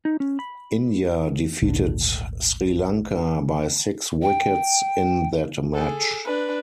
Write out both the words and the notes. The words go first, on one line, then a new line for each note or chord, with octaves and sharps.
India defeated Sri Lanka by six wickets in that match.
D#4
C#4
B5
G#1 D2 A#2 D3
G5
G#4 A4
D4 B4